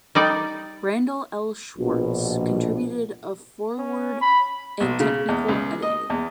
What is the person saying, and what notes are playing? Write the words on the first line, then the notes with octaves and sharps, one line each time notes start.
Randal L. Schwartz contributed a foreword and technical editing.
G3 D#4 D5
A#1 B2
C#4
B5
B1
C#3
E2
C#2
D#5
E2